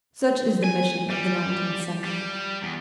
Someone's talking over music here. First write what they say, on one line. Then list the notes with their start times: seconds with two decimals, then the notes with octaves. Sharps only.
Such is the mission of the nineteenth century.
0.64 G#5
1.10 G3
2.05 G3
2.63 E2